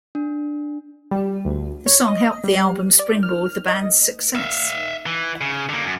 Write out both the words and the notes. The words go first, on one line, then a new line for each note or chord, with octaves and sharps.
The song helped the album springboard the band's success.
D4
G3
D2
C#5
D#5
G3
D5
F6
D#5
E5 F5
E3
C#3
D3 A#3
F#2